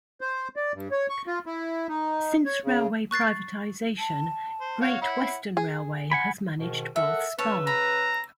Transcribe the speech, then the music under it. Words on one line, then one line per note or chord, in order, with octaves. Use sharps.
Since railway privatisation Great Western Railway has managed Bath Spa.
C5
D5
G2
C#5
C#6
F4
E4
D#4
C#5
C#3
C#6 F#6 A6 C7
A5
C5
F#4 C#5 F5
E4 C#5 F#5
G#4
F#5 G#5 B5
G#2 B2 D#3
A4 A#4 E5 F#5
C#3 B4 C#5 A5 E6
A#5 B5